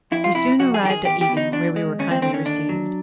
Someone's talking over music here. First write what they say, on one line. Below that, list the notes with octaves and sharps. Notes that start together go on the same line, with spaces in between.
We soon arrived at Egan, where we were kindly received.
F2 E4
F4
C3 E4
F2 F#4
G#4
D#3 G4
G#4
E2 G4
G4
B2
D#4
E2 D4
G#3
D#2 C#4
C4
D3 C4
C#4
D#2 D4
F#3